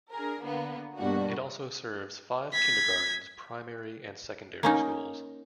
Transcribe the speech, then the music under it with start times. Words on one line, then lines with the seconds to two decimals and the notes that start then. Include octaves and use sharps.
It also serves five kindergartens, primary and secondary schools.
0.10 D4 G#4 A#4
0.41 D3 A#3 B3
0.97 G2 B2 G3 A#3 D4 F#4
2.53 G#6 B6
4.63 A#3 C#4 D#4